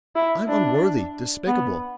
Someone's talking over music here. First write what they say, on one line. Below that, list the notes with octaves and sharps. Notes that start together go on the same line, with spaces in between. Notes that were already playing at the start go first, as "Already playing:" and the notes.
I'm unworthy, despicable.
E4
D4
B3